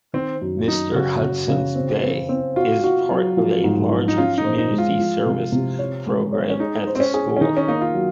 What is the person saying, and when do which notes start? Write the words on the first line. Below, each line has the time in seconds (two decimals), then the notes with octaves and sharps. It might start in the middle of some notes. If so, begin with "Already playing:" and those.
Mr. Hudson's Bay is part of a larger community service program at the school.
0.13 D#3 C4
0.41 F#2
0.68 F#2 D#4
0.95 C#3 F#4
1.21 C#3
1.48 C#3
1.75 C4
2.03 C4
2.29 C4
2.56 F4 F#4
2.84 F#4
3.11 F#3
3.37 F3
3.64 G#2
3.90 F3
4.08 D#4
4.18 C#4 F4
4.38 D#4
4.44 C5
4.58 D#4
4.71 G#3
4.78 F4
4.99 F3
5.25 C3
5.52 C3
5.79 C#5
6.07 G#3
6.33 C#5
6.50 C#4
6.60 D#4 G#4
6.87 C5
6.95 C4
7.00 C#4
7.14 G#4
7.37 C#4
7.41 D#3 D#4
7.57 C#4
7.68 A#3 D#4
7.81 F4
7.94 F#3